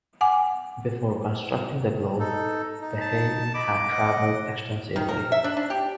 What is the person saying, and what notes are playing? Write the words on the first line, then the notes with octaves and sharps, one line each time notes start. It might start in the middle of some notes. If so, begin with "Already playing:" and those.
Before constructing the globe, Behaim had traveled extensively.
F#5 G#5 D6
D#4 A4
D#4
A5
D#5 B5 D6
D#5 F#5
D#3
A#4
E5
D4
D4
G4